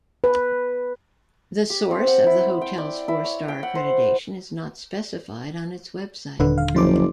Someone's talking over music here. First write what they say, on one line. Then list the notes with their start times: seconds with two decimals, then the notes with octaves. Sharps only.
The source of the hotel's four-star accreditation is not specified on its website.
0.24 B4
1.70 G4
1.91 C4
2.07 F#5
2.26 E4
2.61 G5
2.78 D5
3.08 E4
3.24 C#5
3.48 G5
3.63 F#5
3.75 C5
6.40 D#1 D3 B4
6.58 F5
6.75 F#1 F3 C5 D6